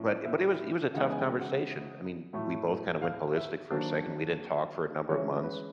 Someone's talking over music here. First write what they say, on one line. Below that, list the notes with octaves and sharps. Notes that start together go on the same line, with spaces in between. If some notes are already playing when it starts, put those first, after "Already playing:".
But i but it was it was a tough conversation, I mean, we both kinda went ballistic for a second, we didn't talk for a number of months,
Already playing: A2 F3 A#3 C#4
D5
E5
C#3 E3 G#3 B3 D#4 F5
G#5
G5
F#5
A2 F#3 A3
F5
E5
D#3 F#3 A#3 D4 C5
E3 G#3 C#4 C#5
B4